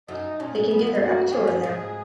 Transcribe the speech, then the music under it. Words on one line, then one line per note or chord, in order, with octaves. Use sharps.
They can get their Abitur there.
F#2 D#4
A#2 C#4
G#2
G#2 B3
F#2
F2
F#2
F#4
F2 G#4
F#2
G#2 G#4